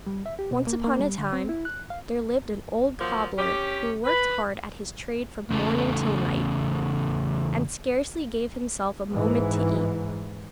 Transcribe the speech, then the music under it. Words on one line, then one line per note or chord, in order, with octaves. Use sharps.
Once upon a time there lived an old cobbler who worked hard at his trade from morning till night, and scarcely gave himself a moment to eat.
G3
E5
G4
B2
A#3
A#3
G3
D3
C4
E4
F#6
F5
F3 F#3 A#3
C#4 G4
B4
E2 C#3 A3
G#2 E3